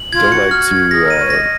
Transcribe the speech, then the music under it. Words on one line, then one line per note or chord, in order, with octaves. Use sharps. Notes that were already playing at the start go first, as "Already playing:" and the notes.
don't like to, uh,
Already playing: F#7
F4 G#6
F#4 C#7
F6
G#6
G#4 A#6
A#4
D#7
C#5
D#5 A#6